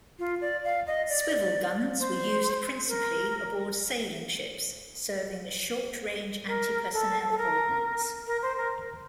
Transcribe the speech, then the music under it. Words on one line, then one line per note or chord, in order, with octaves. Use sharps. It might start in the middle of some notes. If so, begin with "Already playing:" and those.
Swivel guns were used principally aboard sailing ships, serving as short-range anti-personnel ordnance.
F4
D5
F5
D#5
D5
C5
A#4
A#4
A4
A4
A#4
A#4
C5
A#4